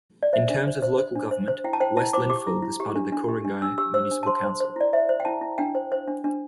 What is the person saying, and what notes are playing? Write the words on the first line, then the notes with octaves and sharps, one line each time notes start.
In terms of local government, West Lindfield is part of the Ku-ring-gai municipal council.
D5
C5 E5
D4
C5
C5
C5
D4
C5
C5
E4 G5
A5
C5 G5
E4 A5
C5 D6
G4 D6
E4
E4
G4
D4
D4
G4
D4
D4 E6
G4 E6
C5 E6
D4
A5
C5 C6
C5
C5
E4 D5
C5 E5
C5
G5
E4 A5
E4
D4 G5
C5
C5
D4
D4